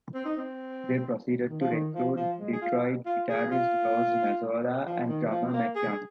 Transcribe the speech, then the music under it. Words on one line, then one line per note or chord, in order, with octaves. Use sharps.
They proceeded to recruit Detroit guitarist Rose Mazzola and drummer Matt Young.
C4
D#4
C4
D#3
F3
D#3
F3
F3
G#3
G#4
F4
F4
G#4
F4
F3
D#3
G#3
F3
C4
A#3
G#4
G#4